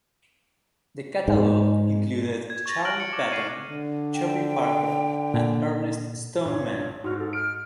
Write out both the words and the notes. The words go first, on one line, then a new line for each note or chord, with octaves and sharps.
The catalogue included Charley Patton, Chubby Parker, and Ernest Stoneman.
G#2
G#6
C#6 A6 A#6
F6 F#6 A#6 D7 F#7
C#7
D6
C#6 C7 D#7
D3
G5
A#2
A#1 G2 A#2 C#5
G#2 F#4 F6
A4
F6 D7